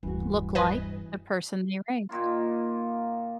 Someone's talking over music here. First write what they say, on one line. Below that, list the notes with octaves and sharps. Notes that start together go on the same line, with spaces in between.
look like the person they raised.
D1 G2 E3 G3 F#4
B4 D#5 G#5
A#2 D#3 A#3 F4